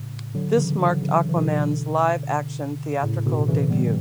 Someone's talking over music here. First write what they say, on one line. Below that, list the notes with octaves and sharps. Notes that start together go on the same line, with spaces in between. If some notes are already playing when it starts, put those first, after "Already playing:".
This marked Aquaman's live action theatrical debut.
Already playing: A2 C#3
D3 F#3
C#3 E3
D3 F#3
C#3 E3
E3
B2 D3
A2 C#3
B2 D3
C#3 E3
G3 B3